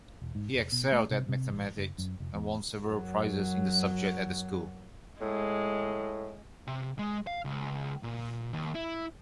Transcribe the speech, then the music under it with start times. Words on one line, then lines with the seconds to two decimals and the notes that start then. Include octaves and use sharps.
He excelled at mathematics and won several prizes in the subject at the school.
0.21 E1
0.35 G#2
0.54 F1
0.72 B2
0.92 A3
1.11 C3
1.29 C3
1.50 A1
1.77 F#1
1.98 F#2
2.20 F1
2.34 E2
2.83 F#2 F#3
5.20 A2 G#3
6.67 C3
6.99 G#3
7.27 F5
7.45 C#2
8.03 A#2
8.53 D#2
8.75 E4